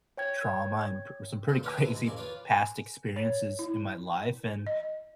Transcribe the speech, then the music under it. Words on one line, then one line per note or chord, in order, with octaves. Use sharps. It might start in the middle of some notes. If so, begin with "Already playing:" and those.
trauma, and p some pretty crazy past experiences in my life, and,
C#5 G5 G#6
D2 A#2 C5
A4 B4 C#5 D5 F#5 A#5
D2 C3 E4 B4 F5 B5
G#3
A1 F2 C#3 A#3 D5 C#6
F4 B4 C#5 D5 F5
G#5
C#5
E4
D#5